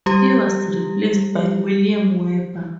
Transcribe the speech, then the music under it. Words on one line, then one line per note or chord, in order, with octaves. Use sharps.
He was replaced by William Weber.
G3 G4